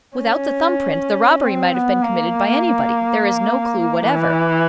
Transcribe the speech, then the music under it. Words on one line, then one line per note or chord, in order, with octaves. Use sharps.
Without the thumb-print, the robbery might have been committed by anybody; there is no clue whatever.
C#4
C4
B3
A#3
E3